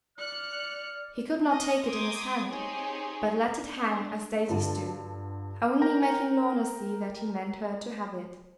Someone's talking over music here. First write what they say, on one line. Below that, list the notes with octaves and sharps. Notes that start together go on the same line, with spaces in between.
He could not take it in his hand, but let it hang, as daisies do; only making Lorna see that he meant her to have it.
D5 F6 F#6 C#7
D#5 A#6
G5 A#5 C6 D6 D#6 G#6
C4 D#4 G4 G#4 C#5
D4
G2 D3 G3 F4 A4 A5
A#4 G5 A#5